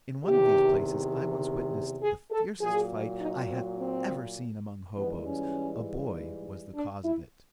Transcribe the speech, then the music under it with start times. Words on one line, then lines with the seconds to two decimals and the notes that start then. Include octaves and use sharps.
In one of these places I once witnessed the fiercest fight I have ever seen among hoboes; a boy was the cause of it.
0.24 E2 C3 D#3 G4
2.02 G#4
2.31 A4
2.60 A#2 F#3 G#4
3.21 D#4
3.50 C4
3.79 C4
4.98 G#2 E3 G3 B3
5.26 C#4
6.75 D4
7.04 E4